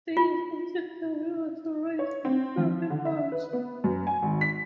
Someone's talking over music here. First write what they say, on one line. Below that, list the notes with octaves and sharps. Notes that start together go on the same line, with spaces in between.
They expected the river to rise in flood at once.
F4
C#5
C4
F3
D3
E5
B4
B3
F#2
G#5
G#1
B6